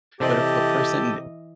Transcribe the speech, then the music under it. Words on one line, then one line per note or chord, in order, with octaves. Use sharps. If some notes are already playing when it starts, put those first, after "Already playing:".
but if the person,
C3 E3 C4 G4 A4 D5 D#5